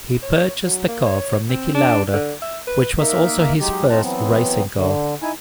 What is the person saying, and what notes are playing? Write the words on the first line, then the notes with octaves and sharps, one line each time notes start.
He purchased the car from Niki Lauda, which was also his first racing car.
C#5
F#3
A#3
C#5
C4
D4
D3
E5
B4
A#3 D#4 A#4 E5
F#3 G#3 D#4 G4
C4 D#4 F4 A5 A#5
E3 F#3 B3 C4
D3
D#4 E4 G#5